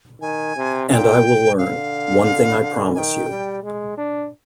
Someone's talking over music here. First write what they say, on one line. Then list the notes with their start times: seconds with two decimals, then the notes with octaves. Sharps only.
And I will learn — One thing I promise you.
0.21 D#3 G#5
0.56 C3
0.90 A#2 G5
1.58 D3 F5
2.60 D3
2.94 D#3 G5 G#5
3.29 G3
3.63 G#3
3.97 D4